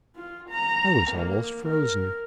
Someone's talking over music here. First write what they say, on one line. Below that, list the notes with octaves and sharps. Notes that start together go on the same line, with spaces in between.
I was almost frozen.
F4
A#5
A#3
A#4